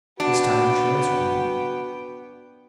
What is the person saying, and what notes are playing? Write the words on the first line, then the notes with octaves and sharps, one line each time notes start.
This time she answered me.
B3 D4 F#4 G5